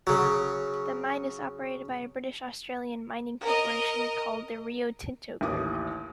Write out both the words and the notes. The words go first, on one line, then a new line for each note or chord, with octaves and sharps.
The mine is operated by a British-Australian mining corporation called the Rio Tinto Group.
C#3 F#3
A#4 D#5
A1 D#2 E4 D6 D#6